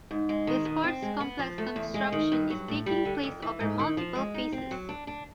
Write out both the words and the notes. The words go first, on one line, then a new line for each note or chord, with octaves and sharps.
The sports complex construction is taking place over multiple phases.
G#2
G#3
D#3
B2
C4
G#3
B3
F3
A3
E2
G#3
D#3
G2
F#3
A2
G3
D3
F2
E3
G#2
D#3
F3
G#3
D#4
C4
F#3
D4
D4